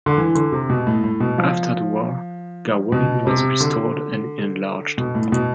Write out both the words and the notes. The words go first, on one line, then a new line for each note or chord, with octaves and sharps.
After the war Garwolin was restored and enlarged.
D3
E3
D3
C3
B2
A2
A2
B2
F3
B2
C3
D3
B2
A2
B2